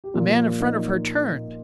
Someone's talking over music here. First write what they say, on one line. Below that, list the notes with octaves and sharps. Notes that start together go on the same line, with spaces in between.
A man in front of her turned.
G4
A#2 F3 A#3 F4 A#4
D#4